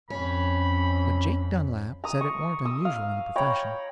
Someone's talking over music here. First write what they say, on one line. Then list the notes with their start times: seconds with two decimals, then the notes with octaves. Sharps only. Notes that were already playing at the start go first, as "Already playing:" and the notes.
But Jake Dunlap said it warn't unusual in the profession.
0.10 F2 C#4 B5
2.04 A#5 D#6
2.21 C#6
2.65 D#6 E6
2.85 F5
3.36 C#5 G5 A#5 B5